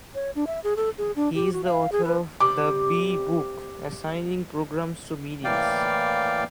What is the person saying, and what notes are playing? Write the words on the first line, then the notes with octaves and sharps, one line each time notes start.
He is the author of "The B-Book: Assigning Programs to Meanings".
C#5
D4
E5
G#4
A4
G#4
D4
G4
F#4
F5
G#4
B4
C3 G3 D6
A2 E3 A#3 D5 F5 G5